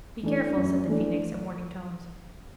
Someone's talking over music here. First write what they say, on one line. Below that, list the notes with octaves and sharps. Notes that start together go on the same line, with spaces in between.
Be careful,' said the Phoenix, in warning tones.
E3 A3 D4
F#2
E3 A3 D4